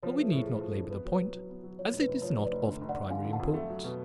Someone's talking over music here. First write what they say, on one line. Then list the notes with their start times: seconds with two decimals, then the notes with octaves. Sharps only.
But we need not labour the point, as it is not of primary importance.
0.03 F3 C#5
0.14 B4
0.17 A3
0.25 A4
0.32 A2 G#4
0.46 A2 G#4
0.61 F3
0.68 A4
0.76 D4
0.90 B3 B4
1.05 F#3 C#5
1.13 B4
1.20 F#3
1.34 F#3
1.50 B3
1.63 F#3
1.78 F3 C#5
1.93 F1
2.00 B4
2.08 F1
2.22 F3 C#5
2.37 F1
2.44 B4 D5
2.52 F1
2.67 D3
2.81 F1
2.89 D5 F#5
2.96 F1
3.10 D3 F5 G#5
3.25 D3
3.33 F#5 A5
3.39 F2
3.54 A3
3.70 F#3
3.84 B2